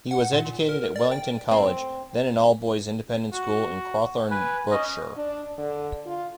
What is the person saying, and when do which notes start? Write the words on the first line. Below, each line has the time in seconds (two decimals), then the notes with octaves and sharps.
He was educated at Wellington College, then an all-boys independent school in Crowthorne, Berkshire.
0.11 F#5
0.33 A#2
0.69 A#4
0.96 D5
1.11 G5
1.51 C4
3.33 F#4
4.31 B4 G#5
4.71 C#4 D#5
5.17 D4
5.58 D3
6.06 F4